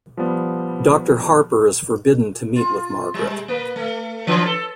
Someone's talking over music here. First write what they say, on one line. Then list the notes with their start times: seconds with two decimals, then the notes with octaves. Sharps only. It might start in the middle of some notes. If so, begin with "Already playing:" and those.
Doctor Harper is forbidden to meet with Margaret.
0.17 F3 G3 B3
2.56 F4
3.14 G3 G#3
3.48 A#3 B4
3.76 A3
4.27 E3 D4 B4
4.46 A4